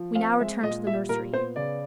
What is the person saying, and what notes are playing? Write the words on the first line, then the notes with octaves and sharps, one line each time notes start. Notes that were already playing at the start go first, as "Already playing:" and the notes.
We now return to the nursery.
Already playing: F3
C4 F5
G#3 E5
A#2 D#5
G3 E5
A#2 A#4
B3 C5
C#3 D5